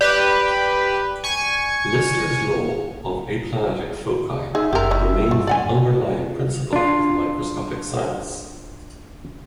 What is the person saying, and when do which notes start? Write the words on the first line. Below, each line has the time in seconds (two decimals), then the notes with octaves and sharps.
Lister's law of aplanatic foci remained the underlying principle of microscopic science.
0.01 G4 B4 D5
1.24 G#5 C#6
4.55 D#4 G#4 E5
4.73 F#1 G4 A#4
4.91 D#3 E3 G3
5.31 G2 A3
5.47 D5 F#5 G#5
6.73 D4 F4